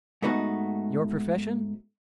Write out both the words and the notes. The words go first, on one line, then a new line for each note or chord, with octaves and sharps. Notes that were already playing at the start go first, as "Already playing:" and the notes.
"Your profession?"
G#2 A3 B3 D#4 F#4